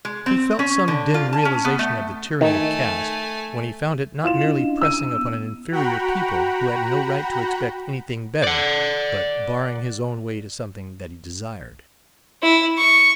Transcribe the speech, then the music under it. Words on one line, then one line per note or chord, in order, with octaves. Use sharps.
He felt some dim realization of the tyranny of caste, when he found it not merely pressing upon an inferior people who had no right to expect anything better, but barring his own way to something that he desired.
G#3
C4
C#4
D3
F4
A5
C#4
B3
A3
D#3 A3 G#5
E4 F4 C6 E7
C#4 D4 D#5
E6 D#7
B3
F#4 F#5 G5 A#5 B5
D5 F#5
E4
C#6